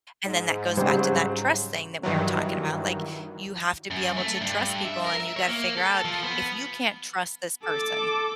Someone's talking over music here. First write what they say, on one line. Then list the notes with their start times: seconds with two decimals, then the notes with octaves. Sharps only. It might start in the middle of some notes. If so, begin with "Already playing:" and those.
and then that goes back to that trust thing that we were talking about, like, "You have to be able to trust people and you gotta figure out if you can't trust this person."
0.24 G#2
0.77 C#3 F#3 G3 C5
2.03 G2 D#3 E3 F#3
3.91 F#2
4.18 A3
4.41 G2
4.85 E5
5.05 A#4
5.21 E5
5.37 C#5
5.48 A#3
5.77 A4
6.05 F3
6.23 B3
7.65 A4 D6